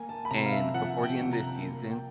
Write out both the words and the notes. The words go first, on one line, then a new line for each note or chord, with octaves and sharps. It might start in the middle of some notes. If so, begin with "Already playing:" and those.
and before the end of the season,
Already playing: A#3 G#5
A5
B5
C3 A#5
F5
E5
F3 F#5
G5
C3
A#5
A#3
G5